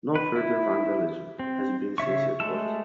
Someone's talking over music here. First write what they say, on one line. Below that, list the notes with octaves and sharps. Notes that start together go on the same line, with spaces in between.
No further vandalism has been since reported.
B4
E4
C4
C#3 C#5 E5 C#6
G#3 A3 A4 E6